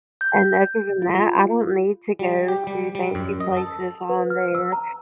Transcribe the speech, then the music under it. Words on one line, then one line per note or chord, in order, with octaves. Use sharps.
And other than that, I don't need to go to fancy places while I'm there.
G6
F4
G3
G4
G3
G3
F#2
D#5
A4
B4
F6
E6
A#5